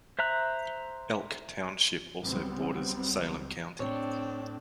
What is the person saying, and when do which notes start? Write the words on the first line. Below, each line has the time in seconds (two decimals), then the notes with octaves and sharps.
Elk Township also borders Salem County.
0.19 C5 E5 A#5 F#6
2.23 C#2 F#3 G3 B3 C4
3.80 A2 C4 D4 C#5